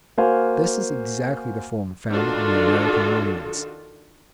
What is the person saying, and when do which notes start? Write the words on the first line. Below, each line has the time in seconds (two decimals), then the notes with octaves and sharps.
This is exactly the form found on the American monuments.
0.18 A#3 F#4 C5 F5 G#5
2.12 D#3 D4 F4 F#4 A4